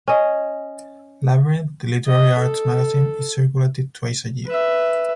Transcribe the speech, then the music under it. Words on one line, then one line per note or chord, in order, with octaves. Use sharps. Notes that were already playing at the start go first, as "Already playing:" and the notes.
"Labyrinth," the literary arts magazine, is circulated twice a year.
C#4 D#5
D#5
A4
B4 E5